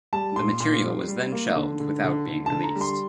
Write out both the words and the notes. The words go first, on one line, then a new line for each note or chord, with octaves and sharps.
The material was then shelved without being released.
G3 A5
A#2 C6
A#2 C6
G3
G3
A#3
D3
D3
D3
D3
A5
D3
A#5
G3
C6